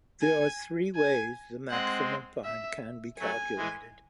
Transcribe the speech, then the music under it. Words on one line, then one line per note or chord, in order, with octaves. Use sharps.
There are three ways the maximum fine can be calculated.
G#5
G#5
G#3 C4 F#5
E5
F#3 A3 G#5
E3 G#3